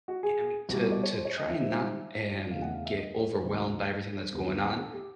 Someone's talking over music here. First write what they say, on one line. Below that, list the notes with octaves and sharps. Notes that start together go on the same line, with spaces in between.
And to to try not and get overwhelmed by everything that's going on,
F#4
G#4
C2 B2 G3
B4
D5
C#5
C5
C#5
D#5
E5
G#2 D#3 G3 C4 E5
E2 C#3 E3 A3 F5
F#5
F5
E5
D#5
C#5
B4
D2 C3 D#3 C5
D#2 D3 G3 B3
A4
G4